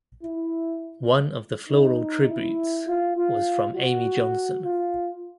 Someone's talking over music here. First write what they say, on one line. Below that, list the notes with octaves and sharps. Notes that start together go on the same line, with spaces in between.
One of the floral tributes was from Amy Johnson.
E4
D#4
E4
F4
F4
F#4
F4